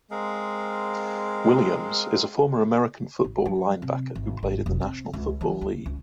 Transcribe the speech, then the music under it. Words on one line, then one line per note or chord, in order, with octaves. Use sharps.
Williams, is a former American football linebacker who played in the National Football League.
G#3 C4 A#4 F5
A1
F#3
C3
G#1
G#1
E1
C4
C#2
E3
D2
C#2